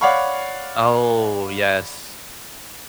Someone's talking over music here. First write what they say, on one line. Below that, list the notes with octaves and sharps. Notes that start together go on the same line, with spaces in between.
Oh, yes.
C#5 D5 F5 F#5 B5 C#6